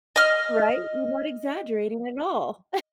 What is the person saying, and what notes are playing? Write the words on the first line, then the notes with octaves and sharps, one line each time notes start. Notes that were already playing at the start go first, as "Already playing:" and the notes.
Right? You weren't exaggerating at all.
D#5 F6